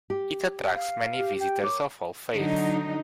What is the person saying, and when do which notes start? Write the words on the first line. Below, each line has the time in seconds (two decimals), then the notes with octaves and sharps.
It attracts many visitors of all faiths.
0.10 G4
0.75 F5
1.14 G4
1.40 G5
1.63 A#4 C#5 D6
2.35 D3 F#3 D#4